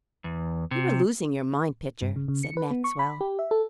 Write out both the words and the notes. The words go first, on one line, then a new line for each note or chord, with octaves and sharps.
"You are losing your mind, Pitcher," said Maxwell.
E2
C3
G2
C#3
C#3
C#7
B4
B3
C#6
B5
G4
E5
A4